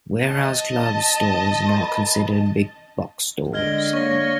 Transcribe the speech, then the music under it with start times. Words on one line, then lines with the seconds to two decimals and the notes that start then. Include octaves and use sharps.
Warehouse club stores are not considered "big-box stores".
0.24 D#5 A5
3.53 D3 G#3 D#5 F6 G#6 G7
3.93 A#3 C#5 C#6 F6 A#6